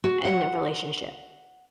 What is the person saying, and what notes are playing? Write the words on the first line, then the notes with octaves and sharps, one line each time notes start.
in the relationship?
F#4
F#5